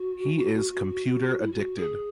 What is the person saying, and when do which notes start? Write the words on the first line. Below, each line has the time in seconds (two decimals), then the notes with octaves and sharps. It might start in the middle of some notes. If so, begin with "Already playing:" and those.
He is computer addicted.
Already playing: F#4
1.39 E4
1.51 F#4
1.77 G#4